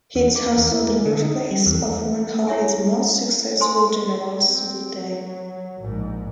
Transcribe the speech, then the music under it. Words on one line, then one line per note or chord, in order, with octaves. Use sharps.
It is also the birthplace of one of his most successful generals; Subutai.
E2
D6
E2
E4
G#3
D3
D#4
G3
E2
E4 C#5 E5 G#5
C5 G#5 C6
C4
F#3
A#1 G#2